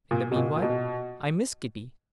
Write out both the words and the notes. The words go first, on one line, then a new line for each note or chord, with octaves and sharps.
In the meanwhile, I miss Kitty.
A#2
B2
A#2
A#2
B2